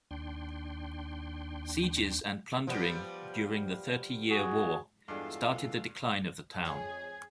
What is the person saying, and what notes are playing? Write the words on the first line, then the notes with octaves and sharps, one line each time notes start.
Sieges and plundering during the Thirty Year War started the decline of the town.
D#2 D4 G5 C6
F3 G3 B3
F#4 G#4
E2 G2 G#3 D4 F4 A4
F2 G#4 C#5 G#6